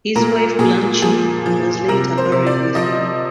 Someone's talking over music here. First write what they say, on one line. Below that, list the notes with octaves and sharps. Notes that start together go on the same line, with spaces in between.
His wife Blanche was later buried with him.
A#2 A#4
A#2 G#4
F3 G#4
F3
C3 A#4
C5
C3
D5
F3 D#5